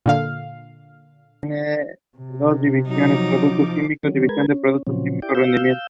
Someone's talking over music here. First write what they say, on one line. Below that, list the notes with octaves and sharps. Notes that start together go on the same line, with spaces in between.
The design of the Shapur Cameo combines both Roman and Sasanian styles.
A#2 D3 F5
C3
F3 F#3 D#4 D6
D3 D#3 F#3 C#4
G#3 A#4 B4 G#6
C#4
A#2 C#3 F3 F#3 C4 C#4
E4 G4 D5 G5 D6
F5 E6 G6